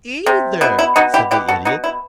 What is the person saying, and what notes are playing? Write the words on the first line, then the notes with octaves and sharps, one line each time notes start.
"Either," said the Idiot.
C3
B2 E4
E4
B2 D#4 F#4
E4 G4
B2 E4 G4
F#4 A4
B2 D#4 F#4
E4